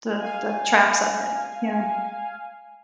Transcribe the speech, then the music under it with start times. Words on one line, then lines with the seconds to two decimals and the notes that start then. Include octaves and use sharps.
the the traps of it, you know?
0.19 F5 G#5